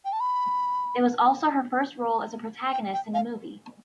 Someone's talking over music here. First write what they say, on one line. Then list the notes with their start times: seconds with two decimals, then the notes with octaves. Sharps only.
It was also her first role as a protagonist in a movie.
0.05 G5
0.13 A5
0.20 B5
2.72 G5
2.93 G5
3.14 F5